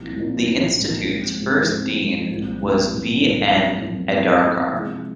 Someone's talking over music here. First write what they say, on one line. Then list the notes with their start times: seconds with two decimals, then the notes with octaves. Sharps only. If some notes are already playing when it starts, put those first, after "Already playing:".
The Institute's first dean was V. N. Adarkar.
Already playing: C2 A#2 F3 C4 D#4
0.16 C2 A#2 F3 C4 D#4
0.46 C2 A#2 F3 C4 D#4
0.77 C2 A#2 F3 C4 D#4
1.08 G#2 F3 C4
1.38 G#2 F3 C4
1.69 G#2 F3 C4
1.99 G#2 F3 C4
2.29 C2 A#2 F3 G#3 C4
2.60 C2 A#2 F3 G#3 C4
2.91 C2 A#2 F3 G#3 C4
3.20 C2 A#2 F3 G#3 C4
3.51 F#2 F3 C4
3.82 F#2 F3 C4
4.12 F#2 F3 C4
4.42 F#2 F3 C4
4.73 C3 F3 G#3